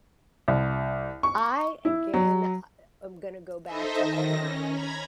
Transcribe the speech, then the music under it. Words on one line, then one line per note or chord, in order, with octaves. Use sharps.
I again I um, I'm gonna go back to all my
C2
C#6
E4
F#3
D#4 A4 C5 D#5 E5
D#3 A#6
C#4
A#5 B5 G#6